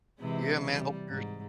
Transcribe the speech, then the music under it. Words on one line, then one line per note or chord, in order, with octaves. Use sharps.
yeah, man, hope your
C3 E3 G#3
G3
G#2